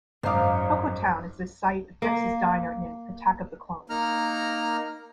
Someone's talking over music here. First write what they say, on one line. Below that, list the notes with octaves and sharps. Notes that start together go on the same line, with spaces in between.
Coco Town is the site of Dex's Diner in "Attack of the Clones".
G#1 F#2 C5 D#5 F5 A#5 D6 D#6
A#3
A#3 D#4 A#5 F6